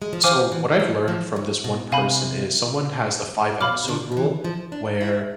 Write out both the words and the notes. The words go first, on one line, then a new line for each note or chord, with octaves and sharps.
so, what I've learned from this one person is someone has the five-episode rule, where
G#3
F3
E3 C5 F5 G#5 D6 F6
E3
F3
F3
C3
B2
C3 F5 G#5 B5
B2 F5 B5 D6 F6
C3
D3
F3
E3
F3
D4
E4